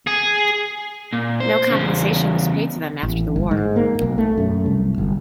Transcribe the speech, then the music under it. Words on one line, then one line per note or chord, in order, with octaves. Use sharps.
No compensation was paid to them after the war.
G#4
A#2
C5
E2 C#3
A1
G1
G#2
A#3
B1
A3
F#2
C2
G1